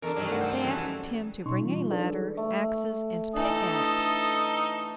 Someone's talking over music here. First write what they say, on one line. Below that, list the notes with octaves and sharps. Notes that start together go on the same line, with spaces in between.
They asked him to bring a ladder, axes and pickaxe.
E2 D4 A4 A#4
G2 C3 D#3 F#3 G3
A3 A4 F#5
F3 C4 C5
F#2 D#3 E3 C4 A4
B2 C#4 D#4 C6 C#6
E3 G3 F4
D4 D#4 G#4 A4 B4 D5
A3
E3 D4 D#4 A4 D#6